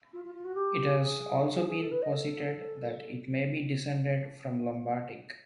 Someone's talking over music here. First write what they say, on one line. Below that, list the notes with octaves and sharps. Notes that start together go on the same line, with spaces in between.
It has also been posited that it may be descended from Lombardic.
F4
F4
F4
F#4
G4
G#4
G#4
G#4
G#4
A4
B4
D#5
A4